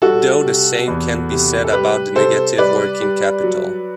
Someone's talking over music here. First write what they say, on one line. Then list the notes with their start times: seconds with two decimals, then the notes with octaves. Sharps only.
Though, the same can't be said about the negative working capital.
0.02 G3 F#4 A4
0.45 C3
0.87 E2
1.31 C3
1.64 A4
1.72 G3 G4 B4
2.15 C3 A4 C5
2.58 G3 B4 D5
3.01 G3
3.43 F#3